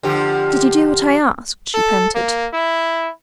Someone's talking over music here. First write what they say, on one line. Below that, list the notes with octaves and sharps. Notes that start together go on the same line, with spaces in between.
"Did you do what I asked?" she panted.
D3 F3 G4
A4
A#3
E4